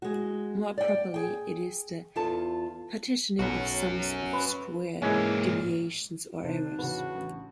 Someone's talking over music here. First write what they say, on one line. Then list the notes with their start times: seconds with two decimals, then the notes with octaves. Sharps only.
More properly, it is the partitioning of sums of squared deviations or errors.
0.02 G#3 F#4
0.78 D5 G5
1.14 G#4 G5
2.16 E2 F4 A4 A5
3.39 B1 C#4 F#4
4.33 B4
5.02 G#2 E3 G#3 A#3 C#4
6.44 C3 D4 D#4 C5
6.79 E2 C#3 F#4 B4
7.15 A1